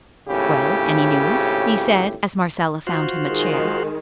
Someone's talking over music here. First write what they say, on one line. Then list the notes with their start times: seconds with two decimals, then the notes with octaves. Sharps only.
"Well--any news?" he said, as Marcella found him a chair.
0.28 G#1 A2 C#3 G4
2.87 F4 F#4 C5
3.24 D#3 G#3